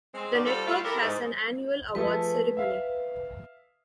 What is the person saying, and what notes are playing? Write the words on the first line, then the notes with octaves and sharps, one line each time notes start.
The network has an annual awards ceremony.
G#3 C4
D#4 F#4 A#4 D5
G3 C4 F4 A4
G3 A3 E4 F4
E4 G4 A4 A#4
G#2
F3 A3 G#4 B4
E5 F5